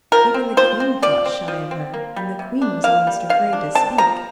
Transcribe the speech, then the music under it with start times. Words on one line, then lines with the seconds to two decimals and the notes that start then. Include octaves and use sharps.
Even the king fought shy of her, and the queen was almost afraid to speak.
0.12 F3 A#4
0.34 C4
0.57 F3 C5
0.80 C4
1.02 F3 D5
1.25 C4
1.48 F3
1.71 C4
1.94 A#3
2.16 G3
2.39 C3
2.62 D4
2.84 A#3 F5
3.07 G3
3.29 C3 F5
3.53 D4
3.75 C4 A5
3.98 F3 A#5